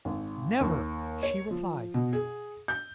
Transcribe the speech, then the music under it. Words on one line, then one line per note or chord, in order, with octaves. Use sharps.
Never!' she replied.
G#1
D#2
C#5
F3
B2
G#4
G6